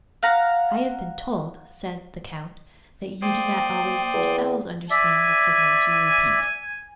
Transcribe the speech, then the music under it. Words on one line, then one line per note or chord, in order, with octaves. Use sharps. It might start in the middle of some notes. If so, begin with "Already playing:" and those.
"I have been told," said the count, "that you do not always yourselves understand the signals you repeat."
F5 F#5 A#5
A#3 C5 D5 G5 D#6
E2
D5 E5 G#5